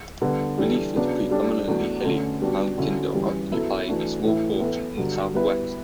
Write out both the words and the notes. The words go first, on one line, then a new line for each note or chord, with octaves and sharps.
The relief is predominantly hilly, mountains occupying a small portion in the south-west.
D3 G3 B3
E3 G3 D4 A4
C#3 F#3 B3 D4
G3 D4 A4
E2 B2 A3 D4 F#4
D3 A3 C#4
G3 B3 D4 F#4
D3 F#3 C#4 E4 A4
G2 E3 G3 C#4
F#3 B3 E4 A4 E5
E3 A3 D4 F#4
A2 E3 A3 E4
E3 B3 E4 A4
G2 D3 F#3
G3 B3 E4 B4